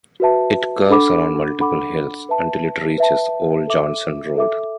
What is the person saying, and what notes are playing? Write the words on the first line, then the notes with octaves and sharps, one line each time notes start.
It curves around multiple hills, until it reaches Old Johnson Road.
F#4 B4 E5 A5
D4 A4 F#5 B5 D6
D4 A4 F#5 B5 D6
B4 E5 A5
B4 E5 A5
A4 E5 D6
A4 E5 D6